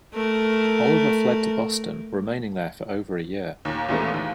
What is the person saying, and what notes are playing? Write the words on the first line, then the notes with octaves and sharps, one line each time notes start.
Oliver fled to Boston, remaining there for over a year.
A3 A#4
D#2 A#2
D#2 A#2 E3 G#3 A3 B3
D#2